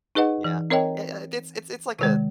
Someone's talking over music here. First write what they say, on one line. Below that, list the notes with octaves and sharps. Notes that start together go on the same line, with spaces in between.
Yeah. Ye uh, it's it's it's like a,
D#4 G#4 B4 D#5 F#5
E3
C4 A#4 C#5 D#5 G5
C3 D#3 G#3